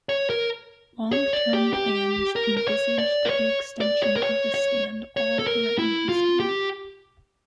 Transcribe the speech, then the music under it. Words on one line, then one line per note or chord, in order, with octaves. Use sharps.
Long-term plans envisaged the extension of the stand all around the stadium.
C#5
A#4
C#5
D5
G4
G4
A#4
A#4
C#5
D5
A#4
C#5
D5
C#5
A#4
C#5
C#5
C#5
A4
A#4
E4
F4
G4